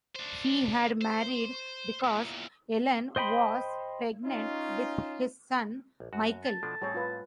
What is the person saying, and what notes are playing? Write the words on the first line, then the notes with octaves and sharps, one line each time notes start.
He had married because Ellen was pregnant with his son, Michael.
D4 C5
C5
E2 A#2
C5 D#5 G5 B5 C6
C#4 D#4 F4
A#1
F#2 F#4
A5
B2 F3 D4 A4
A2 G3 C4 G#4 C#5
F4 B4